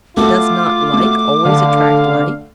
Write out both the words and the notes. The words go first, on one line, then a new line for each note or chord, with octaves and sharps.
Does not like always attract like?
A3 F4 F#4 A4 D6
A3 F#4
D3 F5